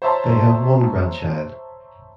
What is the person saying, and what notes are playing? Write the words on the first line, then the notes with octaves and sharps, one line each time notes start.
They have one grandchild.
C5 C#5 E5 A5 A#5 C6